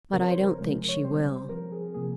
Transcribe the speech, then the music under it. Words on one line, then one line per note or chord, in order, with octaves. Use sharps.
"But I don't think she will."
C#3 F3 C4 A#4
C#5
C5
A#4
C3 F3 G#3 A#4
C#5
C3 G3 C4 C5
F3 C4 A#4
G#4
C3 F3 A#3 G#4